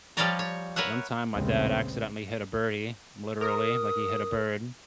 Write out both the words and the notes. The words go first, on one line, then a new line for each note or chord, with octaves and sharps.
one time my dad accidentally hit a birdie, literally, like, he hit a bird.
F3 G3 G4 C#5 D5 A#5
C#5
A#4 B4 C#5 E5 F#5
A#1 D#2 C#3 G#3 B3 C4
A#4 D#6